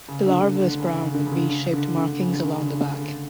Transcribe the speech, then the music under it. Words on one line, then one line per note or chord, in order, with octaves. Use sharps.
The larva is brown with v-shaped markings along the back.
C#3
D3
D3
D3
C#3
C#3
D3
C#3
D3
C#3
D3
D3
C#3
D3
C#3
D3
C#3
D3
C#3
D3
C#3
D3
C#3